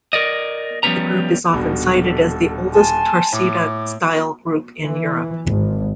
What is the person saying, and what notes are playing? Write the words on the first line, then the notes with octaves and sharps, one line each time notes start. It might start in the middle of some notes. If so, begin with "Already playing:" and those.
The group is often cited as the oldest torcida style group in Europe.
A#4 D5 D#5
F3 G3 B3 C#4 B4 A#5
D#1 B2 D4
A4
G#5 A5 C6
A2 D6
E3
G#1